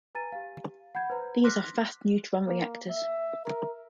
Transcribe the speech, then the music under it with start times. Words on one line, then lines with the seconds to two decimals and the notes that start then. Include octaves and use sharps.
These are fast-neutron reactors.
0.15 B4 G#5 A#5 A6 D#7
0.32 G4 F5
0.95 F#5 B5 G6 G#6
1.10 B4 C5 A#5
1.44 C6 D6 F6 F#6 A#6 B6
2.47 A#3
2.90 E5
3.46 A#4